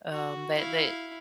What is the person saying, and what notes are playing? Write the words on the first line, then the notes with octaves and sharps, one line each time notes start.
um, that that
F#4
E4 F5